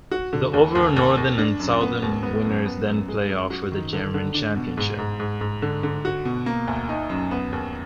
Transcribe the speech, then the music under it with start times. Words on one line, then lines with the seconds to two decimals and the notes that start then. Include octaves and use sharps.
The overall northern and southern winners then play off for the German Championship.
0.11 F#4
0.33 D3
0.53 D#2
0.75 D#2
0.96 D#2
1.17 D#2
1.38 D4
1.60 F#2
1.81 B3
2.02 D#2
2.23 B3
2.45 F#2
2.65 B3
2.87 F#2
3.08 G#3
3.28 F#2
3.50 F#4
3.72 D#3
3.93 D3
4.14 D3
4.34 D4
4.56 B2
4.77 G#2
4.98 G#2
5.20 G#2
5.41 G#2
5.62 D3
5.83 D3
6.05 F#4
6.25 B2
6.46 A#3
6.68 D2
6.89 D#4
7.09 F#2
7.31 B3
7.52 D#2